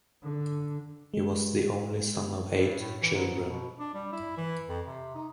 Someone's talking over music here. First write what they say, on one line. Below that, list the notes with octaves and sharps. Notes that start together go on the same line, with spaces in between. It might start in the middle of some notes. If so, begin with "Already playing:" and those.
He was the only son of eight children.
D3
G#3
G2
A2
E3
G#2
B2
D4
G3
E4
E3
F2
C3
D#4